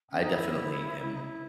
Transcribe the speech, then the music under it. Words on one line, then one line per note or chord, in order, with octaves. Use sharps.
I definitely am,
C#4
D#4
E4
E4
D#4
E4